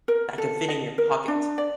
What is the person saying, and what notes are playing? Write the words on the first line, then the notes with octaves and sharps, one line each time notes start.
that can fit in your pocket.
A#4
A4
D#5
A#4
D4
D5